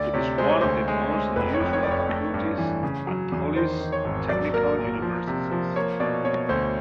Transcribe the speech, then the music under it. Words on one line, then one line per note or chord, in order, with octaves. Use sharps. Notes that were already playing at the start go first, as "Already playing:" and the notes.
It is one of the most unusual faculties at Polish technical universities.
Already playing: D2 D5
C3 C#5
G#3 C5
C#5
D2 C5
G#3
G#3
F1 B4
C#5
F2
C#5
F2 D5
C#5
A3
G2
E3
C#3
F#3
E2
D#3 C5
D#3
C#5
G#1
F#3 D5
A#3 A#4
A#2
F3
C3
F3
A#3 C#5
B2 D5
B2 C#5
D2 C5